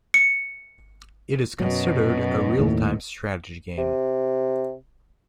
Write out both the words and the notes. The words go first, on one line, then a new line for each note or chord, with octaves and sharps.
It is considered a real-time strategy game.
C#7
F#2 B2 F#3
D#2 A2
C3